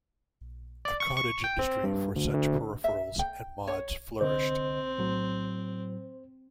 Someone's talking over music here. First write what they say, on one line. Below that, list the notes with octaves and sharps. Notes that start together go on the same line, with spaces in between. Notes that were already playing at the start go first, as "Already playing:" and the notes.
A cottage industry for such peripherals and mods flourished.
D5
C#6
C#6
G5
C4
G2
D2
D2
E5
G5
C#5
C2 D3 C4 C5 D#5
A2 F#3